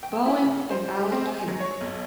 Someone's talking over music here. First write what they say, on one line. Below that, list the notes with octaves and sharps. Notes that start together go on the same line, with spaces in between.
Bowen, and Alan Plater.
G5
E4
C#3
C5
G4
C4
G#5
F#3
C#5
B1